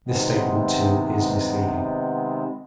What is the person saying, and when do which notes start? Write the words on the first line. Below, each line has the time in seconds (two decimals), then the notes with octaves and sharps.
This statement, too, is misleading.
0.08 C3 D#3 G#3 B3 C4